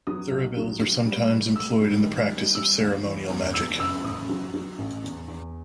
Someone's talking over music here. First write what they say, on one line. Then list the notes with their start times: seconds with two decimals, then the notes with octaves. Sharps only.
Thuribles are sometimes employed in the practice of ceremonial magic.
0.07 F#3 D#6
0.31 B1
0.57 F#3
0.81 F#3
1.06 G3
1.31 A2
1.56 A2 E6
1.81 G3
2.06 D#3
2.30 G3
2.55 G3 E6
2.80 D#2
3.05 E3
3.30 E2
3.54 E2 E6
3.79 F#1 E6
4.04 A1 D#6
4.29 F#3
4.54 F#3
4.78 A1
5.04 E2
5.28 E2